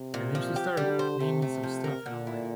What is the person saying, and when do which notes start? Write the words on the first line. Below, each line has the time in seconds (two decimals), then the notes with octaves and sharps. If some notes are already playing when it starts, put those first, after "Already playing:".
And then she started naming some stuff, and I'm like
Already playing: C3
0.14 A#2
0.35 F3
0.56 G4
0.77 D3 G3
0.99 C5
1.20 C3 A3
1.42 A3
1.63 F3
1.84 A#4
2.06 A#2 D3
2.27 E4